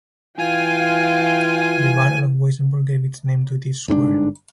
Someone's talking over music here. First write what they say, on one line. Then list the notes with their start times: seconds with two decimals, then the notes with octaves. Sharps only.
The Battle of Weissenburg gave its name to this square.
0.39 E3 F4 F5 G5 G#5
3.88 G1 G#2 C4 D4